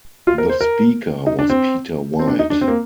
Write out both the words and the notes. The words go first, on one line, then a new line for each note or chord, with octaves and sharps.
The Speaker was Peter White.
F4
A#4
C5
A#4
D#4
D4
C4
C4
D4
D#4
D4
C4
A#3